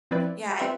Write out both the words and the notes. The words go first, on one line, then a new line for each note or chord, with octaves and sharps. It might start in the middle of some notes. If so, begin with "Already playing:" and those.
yeah I
F3 C4 E4 B4 D5
C4 F4 B4 E5